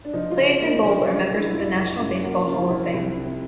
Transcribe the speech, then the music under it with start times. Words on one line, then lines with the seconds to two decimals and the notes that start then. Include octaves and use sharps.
Players in Bold are members of the National Baseball Hall of Fame.
0.05 D4
0.13 F3 D#4
0.31 F4
0.37 C#3
0.60 A#3
0.66 D#4
0.83 F3 D4
1.02 D4
1.07 C#3
1.19 D4
1.30 F3
1.36 E4
1.53 F#2 F4
1.77 F#2
2.00 F#2 F4
2.23 A#3 F#4
2.47 C#3 F4
2.53 E4
2.61 F4
2.70 F3 E4
2.93 C2
3.17 C3